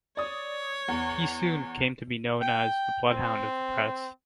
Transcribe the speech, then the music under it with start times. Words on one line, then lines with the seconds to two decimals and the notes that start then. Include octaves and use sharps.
He soon came to be known as the Bloodhound of the Press.
0.17 C#5 D5 D#6
0.88 E2
2.42 G5
3.10 C4